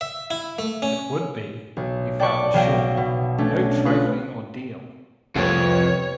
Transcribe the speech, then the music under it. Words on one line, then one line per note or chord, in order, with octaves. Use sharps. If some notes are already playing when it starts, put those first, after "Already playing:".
It would be, he felt assured, no trifling ordeal.
E5
E4
A3
C#4
B1
D5 G5 A5 B5 C#6 D6
B1 F#3 F5 G5 A#6
B2
A3 C#4 D4
A3 F4 B4
C2 F2 C3 B3 C#5